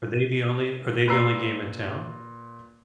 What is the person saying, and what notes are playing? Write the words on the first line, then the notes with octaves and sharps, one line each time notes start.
Are they the only are they the only game in town?
A#2 B4 A#5 E6 C7